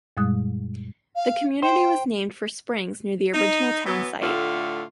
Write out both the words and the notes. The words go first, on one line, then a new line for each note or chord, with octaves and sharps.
The community was named for springs near the original town site.
F#2 A#2 G3 G#3 D#6 F#6
F5
C5 G5 C6
D#4
E3 F#3 B3
A2 D3 A3 F4